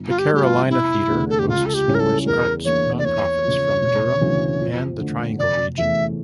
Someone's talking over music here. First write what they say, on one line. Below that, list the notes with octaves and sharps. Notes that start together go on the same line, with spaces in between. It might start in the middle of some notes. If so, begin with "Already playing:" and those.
The Carolina Theatre hosts numerous arts nonprofits from Durham and the Triangle Region.
Already playing: G1
F4
G4
G2 F3 A3 G4
F4
F1 E4
E2 D3 A3
A4
G4
C#2 F4
A4
G4
C#3 G3 C#4 E4
A#4
A4
E2 A#4
E3 A#3 D4 C#5
D5
E2 C#5
C#3 F3
E1
D2 C#3 E3
F2
D3 A3
F1 D5
E2 E3 A3 C#4 E5